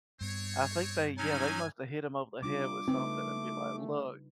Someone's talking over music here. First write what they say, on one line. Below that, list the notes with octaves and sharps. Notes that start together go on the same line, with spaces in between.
I think they yeah, they must have hit them over the head with something and be like, "Look."
G2 B3 C4 C#5
F#3 C#4 D#4 G#5
C3 G3 D4 F4 D6
C#3 A3 C4 D#4 B4